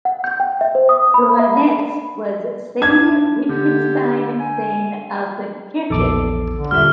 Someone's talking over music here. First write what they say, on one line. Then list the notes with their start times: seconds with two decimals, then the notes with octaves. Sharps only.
Johanette's was Sayn-Wittgenstein-Sayn-Altenkirchen.
0.05 F#5
0.24 G6
0.40 G5
0.61 E5
0.75 C5
0.89 D#6
1.14 B5
1.39 E5
1.56 B5
2.82 D4 A5 G#6
3.49 D3 G4
4.39 G#5
5.90 A#1 E2 A4 D6
6.55 D3
6.71 D#1 E5 F6